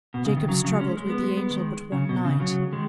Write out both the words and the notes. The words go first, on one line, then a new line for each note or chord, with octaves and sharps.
Jacob struggled with the angel but one night.
B2
C#3
D#3
C#3 F#3
C#3 F#3
G#3 C#4
G#3
B3
G#3
B3
D#3 G#3
C#3
B2
C#3
C#3 F#3
D#3 G#3